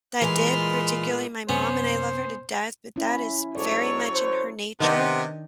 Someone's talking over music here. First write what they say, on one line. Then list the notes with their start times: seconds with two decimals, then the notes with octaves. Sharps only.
that did, particularly my mom, and I love her to death, but that is very much in her nature
0.21 E3 G#3 F4 A#4 F5 B5 C6 F6
1.49 F#2 C3 B3 C#4 C5
2.96 C#4 E4
3.55 G#2 F#3 A4 C#5 D5
4.13 C5
4.80 C3 D#3 B3 D4 D#5